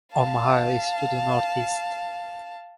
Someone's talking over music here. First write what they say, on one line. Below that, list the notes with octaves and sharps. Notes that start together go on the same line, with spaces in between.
Omaha is to the northeast.
F5 A5